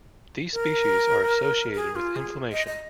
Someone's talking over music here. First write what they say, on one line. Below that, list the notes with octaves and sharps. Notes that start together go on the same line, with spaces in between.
These species are associated with inflammation.
A#4
G#4
F4
G#4
D#5
D#5